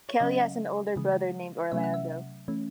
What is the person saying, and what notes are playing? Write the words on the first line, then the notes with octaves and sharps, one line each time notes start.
Kelly has an older brother named Orlando.
C#5
C#3 F#3 C#4 D#5
C#3 E3 G#3
C3 F#3 A3 C#4 E5
F#5
E5
E3 A3 C#4